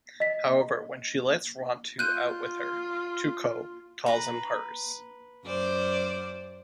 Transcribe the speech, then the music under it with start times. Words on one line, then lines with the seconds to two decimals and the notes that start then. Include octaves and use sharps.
However, when she lets Rontu out with her, Tutok calls him hers.
0.20 D#5 B6
1.99 F4 F#6 G6 D#7
4.06 B4 A#5
5.45 F#2 C5 D5